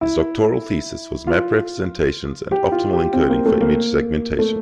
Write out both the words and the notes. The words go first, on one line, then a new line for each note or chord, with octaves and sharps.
His doctoral thesis was "Map Representations and Optimal Encoding for Image Segmentation".
E4
F4
G4
F4
G4
C4
A#3
A3
A#3
A3